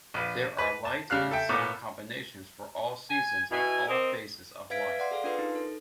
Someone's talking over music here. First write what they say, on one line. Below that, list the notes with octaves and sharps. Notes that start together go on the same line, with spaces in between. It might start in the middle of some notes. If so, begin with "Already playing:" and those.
There are light and sound combinations for all seasons and all phases of life.
A#1 B4
B4
A5
C#3 G3 F5 F#6
A4 E5 G5
A2 A#3 B3 A4 D6
G#5
B2 E4 G#5
C4 A#4 D#5
B4 E5 F5 G#6 B6 D7
D5 F#5 C6
G#4 A4 F5
D4 F4 A#4 B4 C6
D#4
A4